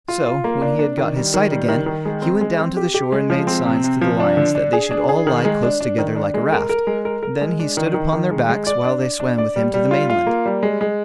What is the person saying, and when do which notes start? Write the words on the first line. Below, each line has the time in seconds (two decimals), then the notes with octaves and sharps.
So, when he had got his sight again, he went down to the shore and made signs to the lions that they should all lie close together like a raft; then he stood upon their backs while they swam with him to the mainland.
0.08 F4
0.26 F4
0.44 A#3
0.62 D4
0.79 D4
0.98 D#3
1.16 G3
1.34 D#3
1.51 G3
1.68 D#3
1.86 D#3
2.05 G#3
2.22 C4
2.41 G#3
2.58 C4
2.77 G4
2.94 G4
3.12 G#3
3.30 F3
3.47 C4
3.66 C3
3.84 C3
4.01 F3
4.20 D4
4.37 D3
4.55 D4
4.73 G#4
4.91 D4
5.09 G#4
5.27 D#3
5.45 G#3
5.63 D4
5.81 D4
5.98 D#3
6.16 D4
6.34 G#3
6.52 A#4
6.69 A#4
6.87 G#3
7.05 A#4
7.23 A#4
7.41 G#3
7.60 D4
7.77 D#3
7.94 D#3
8.13 D#3
8.31 G#3
8.49 G#3
8.67 D5
8.84 D4
9.02 D5
9.20 D4
9.38 D5
9.56 G3
9.74 G3
9.91 F4
10.10 F4
10.27 A#3
10.46 G3
10.63 G#3
10.81 G#3